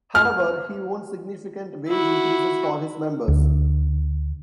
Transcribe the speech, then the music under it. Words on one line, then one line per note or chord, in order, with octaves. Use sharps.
However, he won significant wage increases for his members.
F6
E4 F#4
D2